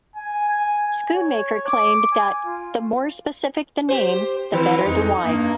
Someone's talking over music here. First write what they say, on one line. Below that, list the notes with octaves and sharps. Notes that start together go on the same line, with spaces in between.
Schoonmaker claimed that "the more specific the name, the better the wine".
G#5
G#5
G#5
C#5
D6
G#5
F4
G4 C5
E3 C4 E4 B4
F2 D#4
G2 A#3